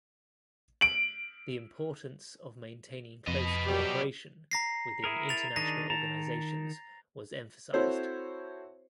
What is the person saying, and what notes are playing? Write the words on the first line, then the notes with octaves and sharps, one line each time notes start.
The importance of maintaining close cooperation within international organizations was emphasized.
D7 F#7
F2 B4 D#5
F#3 G3 G4
A#5 A#6 C7
E4 G#4 A#4
A6 F7
D#3 D4 G#4 A#6
D#3 A5 A#5
C4 E4 F#4 A4 C5 C#5